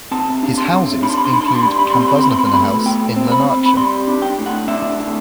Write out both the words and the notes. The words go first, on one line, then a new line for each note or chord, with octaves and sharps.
His houses include Cambusnethan House in Lanarkshire.
C3 A5
D4
C6
C3
D4 B5
C6
B5
C6
D4 B5
C6
B5
C6
G3 B5
C6
B5
C6
C4 B5
C6
B5
C6
B2 B5
C6
B5
C6
A3 B5
B2 G5
C4
B5
C4
B5
G3 C6
D4
G5
A2
F#5
D4 E5
A2